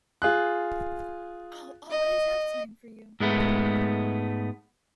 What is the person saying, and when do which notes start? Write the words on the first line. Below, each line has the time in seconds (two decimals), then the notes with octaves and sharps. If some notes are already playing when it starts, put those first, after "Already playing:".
I'll always have time for you.
0.22 F4 G#4 F#6
1.91 D#5
3.20 G#2 G#3 A3 B3